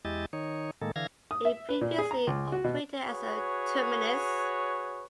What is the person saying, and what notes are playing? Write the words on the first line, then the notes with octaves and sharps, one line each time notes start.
It previously operated as a terminus.
E2 G#3 E4 G4 D#5 A6
D#3 D#4 C#5
A2 D#3 G#3 A#3 A4
D3 E3 F5 G#6 A#6
D#6
E5
B4
A#2
G#4
A#5
C#2
F#4
B2
F#4 G#4 B4 C#5